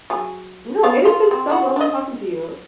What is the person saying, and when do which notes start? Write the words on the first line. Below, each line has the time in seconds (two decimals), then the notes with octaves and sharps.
No. It has been so lovely talking to you.
0.10 F#3 G#4
0.83 A3 B3 F5
1.05 F4
1.31 C4
1.50 D3 F#4
1.76 D4 D#5